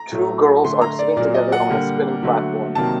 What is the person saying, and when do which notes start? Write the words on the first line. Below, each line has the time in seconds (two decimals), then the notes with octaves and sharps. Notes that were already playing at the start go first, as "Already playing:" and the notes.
Two girls are sitting together on a spinning platform.
Already playing: A#5
0.12 A2 F#3 A3
0.64 D3 A3 C6
0.81 A#5
0.99 D5
1.17 A#2 F#3 A#3 D5
1.34 D#5
1.52 F#5
1.70 D3 G3 A#3
2.23 D3 F#3 A3
2.75 C3 D#3 F#3 A#3 A5